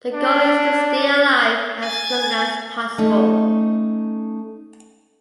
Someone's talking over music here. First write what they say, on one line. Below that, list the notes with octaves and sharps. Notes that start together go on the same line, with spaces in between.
The goal is to stay alive as long as possible.
D4
G#5 G#6 A6
A3 C#4 D#4